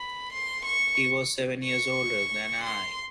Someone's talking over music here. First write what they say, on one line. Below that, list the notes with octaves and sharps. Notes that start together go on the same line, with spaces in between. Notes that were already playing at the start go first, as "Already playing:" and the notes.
He was seven years older than I.
Already playing: B5
C6
C#6
C#6
C6